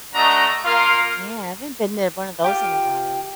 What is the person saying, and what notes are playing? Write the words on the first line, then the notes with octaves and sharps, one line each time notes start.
Yeah, I haven't been there in one of those in a while.
A3 D4 F#4 D#5 A#5
A#3 F4 A#4 F5
F4 G4 G5